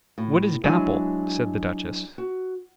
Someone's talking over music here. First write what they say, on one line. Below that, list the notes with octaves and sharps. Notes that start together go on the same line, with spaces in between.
"What is Dapple?" said the duchess.
A2
F#3 G#3 D4 E4 G#5
F#4